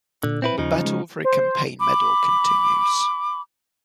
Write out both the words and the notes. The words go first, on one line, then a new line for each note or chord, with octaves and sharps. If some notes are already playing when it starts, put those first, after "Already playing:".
The battle for a campaign medal continues.
A#2 D3
C4 E4 B4
D#2 C#3 F3 D#4
G#3
C5
B5 D6